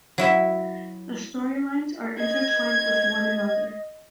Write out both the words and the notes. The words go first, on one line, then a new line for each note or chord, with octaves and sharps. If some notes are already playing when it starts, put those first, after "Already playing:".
The storylines are intertwined with one another.
F#3 E4 E5
D#5 G#6